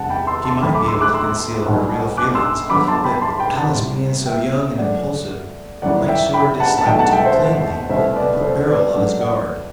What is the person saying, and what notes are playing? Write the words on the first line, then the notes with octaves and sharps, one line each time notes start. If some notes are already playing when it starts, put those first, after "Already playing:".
She might be able to conceal her real feelings, but Alice being so young and impulsive might show her dislike too plainly and put Beryl on his guard.
Already playing: E2 C3 G3 F#5 A5
G5 B5
C6 E6
A5 C6
D2 D3 F#3 A3 G5 B5
B5 D6
C6 E6
D6 F#6
C6 E6
B1 B2 G3
D6 F#6
C6 E6
G1 G2 D3 F#3 B5 D6
A5 C6
G5 B5
A5 C6
G5 B5
F#5 A5
C2 C3 G3
E5 G5
G1 G2 F#3 A3 D5 F#5
G1 F#2 E3 G3 D5 F#5
E5 G5
G5 B5
F#5 A5
A5
B1 B2 A3 E5 G5
F#5 A5
E5 G5
C5 E5
C2 B2 A3 C5 E5
B4 D5
A4 C5
B4 D5
A1 G2 F#3 A3 B4 D5
D5 F#5